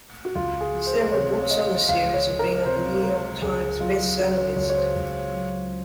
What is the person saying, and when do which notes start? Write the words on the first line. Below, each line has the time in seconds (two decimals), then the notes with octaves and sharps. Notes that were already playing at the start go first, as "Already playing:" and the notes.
Several books on the series have been on the "New York Times" bestseller list.
0.25 F#4
0.35 C#2 F4
0.61 G#4
0.74 F3
0.87 C5
1.12 C3 C#5
1.42 C#5
1.50 G#3 D#5
1.89 C#2 F5
2.14 C#5
2.27 F3
2.39 A#4
2.65 C3 C5
3.03 G#3 A#4
3.42 C#2 G#4
3.80 F#3 F4
4.19 C#3 F#4
4.38 C#5
4.56 C#2 C#5
4.70 C#5
4.76 C5
4.96 C#2
5.33 F#3